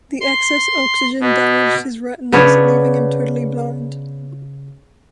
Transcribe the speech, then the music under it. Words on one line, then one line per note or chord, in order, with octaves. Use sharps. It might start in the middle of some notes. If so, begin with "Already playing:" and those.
The excess oxygen damaged his retinas, leaving him totally blind.
C6
B2
C#3 B3 D4 C#5